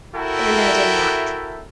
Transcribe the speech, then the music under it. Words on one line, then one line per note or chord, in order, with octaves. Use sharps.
And I did not.
E4 F#4 A4 A#4 E5 G5